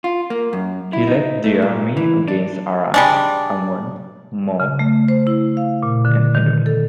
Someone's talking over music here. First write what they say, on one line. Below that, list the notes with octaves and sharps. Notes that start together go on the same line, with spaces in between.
He led the army against Aram, Ammon, Moab and Edom.
F4
A#3
F#2
E4
D#4
A3
A#2
E3
D4
G3 G#3 D4
C#3
A3
C5
E4
F5
A#2
D3
D#3
A4